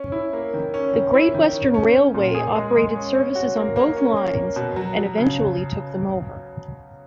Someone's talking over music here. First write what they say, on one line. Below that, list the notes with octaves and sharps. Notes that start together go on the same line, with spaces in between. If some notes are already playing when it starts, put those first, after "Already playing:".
The Great Western Railway operated services on both lines and eventually took them over.
Already playing: C#4
E4
A#3
D#3
C#4
D#3
E4
D#3
C#4
C#4
C#4
A#2
G#4
G#3
G#3
C#4
C#4
F#4
A#3
A#3
C#4
A#3
A#3
B2
F#3
F#3
C#3